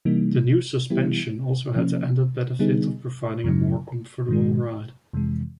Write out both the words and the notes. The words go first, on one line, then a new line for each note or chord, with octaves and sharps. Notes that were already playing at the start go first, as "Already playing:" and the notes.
The new suspension also had the added benefit of providing a more comfortable ride.
C3 E3 G3 A#3 D#4
E3 G3 B3 E4 G4
C3 F3 A#3 C#4
D3 G3 B3 D#4 G#4
F#2 C#3 F#3
G#2 D#3 G#3
F2 C3 E3 G#3